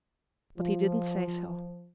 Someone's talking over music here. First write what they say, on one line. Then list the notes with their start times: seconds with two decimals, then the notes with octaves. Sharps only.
But he didn't say so.
0.58 F3